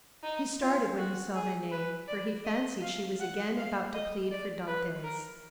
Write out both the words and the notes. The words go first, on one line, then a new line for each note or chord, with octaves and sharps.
He started when he saw Renee, for he fancied she was again about to plead for Dantes.
D#4
F4
F#4
G#4
B4
D5
D#5
F5
F#5
F5
D#5
D5
B4
A#4